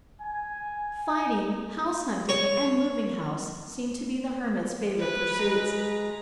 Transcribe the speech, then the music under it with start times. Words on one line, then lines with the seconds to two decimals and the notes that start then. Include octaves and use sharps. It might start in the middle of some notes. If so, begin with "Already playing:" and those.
Fighting, house-hunting, and moving house seem to be the Hermit's favourite pursuits.
0.22 G#5
2.29 C#5
4.99 B4
5.39 G#3 A#5